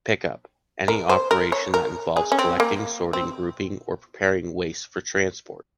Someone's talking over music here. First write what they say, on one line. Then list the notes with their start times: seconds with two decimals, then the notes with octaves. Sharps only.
Pickup: any operation that involves collecting, sorting, grouping or preparing waste for transport.
0.88 A#4
1.09 C5
1.31 A#4
1.52 C#5
1.74 A#4
2.17 G#4
2.32 C#4
2.39 C4
2.60 A#3
3.13 C4